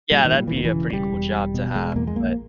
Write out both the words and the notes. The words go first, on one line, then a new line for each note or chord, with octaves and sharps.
Yeah, that'd be a pretty cool job to have, but
A#2 G3
D#3
A#2
G3
E3
E1 D#3
E3
C#3
E1 G3
E2
E1
B2
E1 G#3
E2 A#3
G#3
A#1 A#3